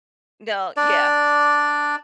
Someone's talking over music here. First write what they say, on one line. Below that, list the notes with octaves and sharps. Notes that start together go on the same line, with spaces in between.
No, yeah.
D4 D5